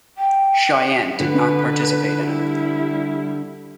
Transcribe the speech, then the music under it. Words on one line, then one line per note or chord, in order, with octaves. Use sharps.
Chayanne did not participate in it.
G5
D3 B4
G3 E4